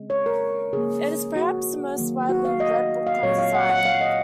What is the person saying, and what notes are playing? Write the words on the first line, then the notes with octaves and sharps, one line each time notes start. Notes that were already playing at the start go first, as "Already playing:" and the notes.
It is perhaps the most widely read book on design.
Already playing: C#3 G#3 C4
C#5
A#4
C#3 F3 A#3 G#4
F#4
D#3 F#3 A#3
F#4
F5
D#5
F5
A#2 F#3 C4 C#5
F5
F#5
F#5
F5
D#5